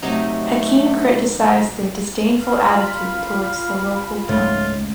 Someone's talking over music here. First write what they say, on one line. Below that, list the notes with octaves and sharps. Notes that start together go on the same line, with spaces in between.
Hakim criticized their disdainful attitude towards the local tongue.
C3 F#3 A3 D#4
F5
F4 A#5 B5
C#2 G#2 A3 F4 C#5